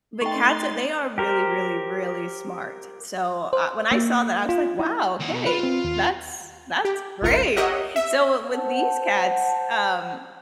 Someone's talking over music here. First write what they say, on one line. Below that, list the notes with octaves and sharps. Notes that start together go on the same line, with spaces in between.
But cats, they are really, really, really smart. So, uh when I saw that, I was, like, "Wow, okay. That's that's great." So, with these cats, um,
A3 D#4 G5 C6 C#6 A6
G4 A#4 C5
C5
A#3
F4
E4
D#2 F#5
B2
F4 B4
C4
D#2
G4
G#1 C#2 F4 A#4 C#7
G4 A#4 C#5 D#5 E5 F#5
E5
C5 F#5 A5